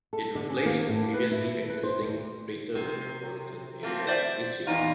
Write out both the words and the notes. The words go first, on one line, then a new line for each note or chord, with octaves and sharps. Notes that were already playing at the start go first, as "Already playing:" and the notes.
It replaced the previously existing "Greater Metropolitan Area of Viseu".
A4
D3
C#4
A#3
A2
B4
E4
B4
C5
D2
C3
A3 A#3 C4
C5 D5 E5
E2 A#2 D#4 F4